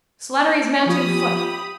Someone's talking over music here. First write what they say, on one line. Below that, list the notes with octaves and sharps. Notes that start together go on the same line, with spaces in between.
Slattery's mounted foot.
F3 F4 G4 B5 D#6